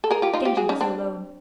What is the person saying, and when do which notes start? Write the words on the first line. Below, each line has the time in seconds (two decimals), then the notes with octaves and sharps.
Genji was alone.
0.04 A4
0.11 G#4 A#4
0.22 F4 G4
0.33 D#4 F4
0.45 F4 G4
0.57 F#4 G#4
0.69 C#4 D#4
0.81 C4 D4